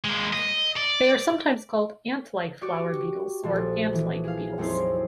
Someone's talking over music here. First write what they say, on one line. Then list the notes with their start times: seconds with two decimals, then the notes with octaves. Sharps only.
They are sometimes called ant-like flower beetles or ant-like beetles.
0.04 G#3 A#3
0.33 D#5
0.77 D5
2.61 F#4 G4 D5 C#6 D6
3.43 A#1 F3 A4
3.93 E3
4.24 G#4 F5
4.58 F2 F#3 C4 D#4 E4 C5